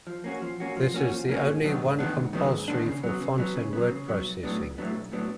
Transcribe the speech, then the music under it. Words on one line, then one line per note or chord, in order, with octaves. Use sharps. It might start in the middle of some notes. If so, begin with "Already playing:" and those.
This is the only one compulsory for fonts and word-processing.
F3
A#3 C#4 F#4
F3
A#3 C#4 F#4
F3
A#3 C#4 F#4
F3
A#3 C#4 F#4
G#2
D#3 F#3 B3 D4
G#2
D#3 F#3 B3 D4
G#2
D#3 F#3 B3 D4
G#2
D#3 F#3 B3 D4
C#3
F#3 B3
C#3
F#3 B3
C#3
F#3 B3
C#3
F#3 B3
B1
A2 F#3 B3 D4
B1
A2 F#3 B3 D4
B1
A2 F#3 B3 D4